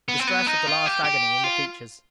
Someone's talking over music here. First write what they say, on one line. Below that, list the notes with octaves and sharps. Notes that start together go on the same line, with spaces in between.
The distress of the last agony in the features.
B3
C4
B3
D#4
F4
G4
G4
F4